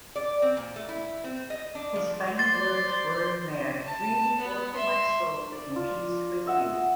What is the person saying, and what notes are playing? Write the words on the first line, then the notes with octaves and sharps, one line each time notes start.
His final words were: "May I breathe forth my soul in peace with you".
D5
C4
A#2
A3
E4
C4
D#5
D4
F3
C5 D5 C6 A6
A5
B3
E5 C6
D5
D4 F4
D#5 E5 F#5